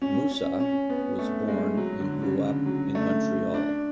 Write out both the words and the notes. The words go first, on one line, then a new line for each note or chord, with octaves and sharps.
Moussa was born and grew up in Montreal.
C#4
C#4
C#4
B3
A3
G#3
F#3
D3
C#3
D3
F#3
A3
D4